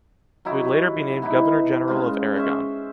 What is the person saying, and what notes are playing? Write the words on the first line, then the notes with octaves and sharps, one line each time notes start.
He would later be named Governor General of Aragon.
F#3 D#4 E4 G4
E3 B3 D#4 E4
C#3 G#3 F4
C#4 C5 E5